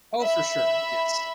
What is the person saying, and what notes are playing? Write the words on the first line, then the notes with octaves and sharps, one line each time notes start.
Oh, for sure, yes.
E5 B5